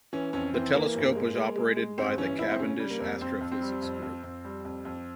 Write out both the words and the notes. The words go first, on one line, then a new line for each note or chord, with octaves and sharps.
The telescope was operated by the Cavendish Astrophysics Group.
E3 C#4
F2 C#4
E3 C4
E3 A#3
G1
G#3
G#3
G#3
G#3
G1 C4
E3 C#4
G1 E4
C4
C#3 C#4
G3
A#3
F2
F2 C4
F2
C4
G3
F2
F2
F2
G3
F2
F2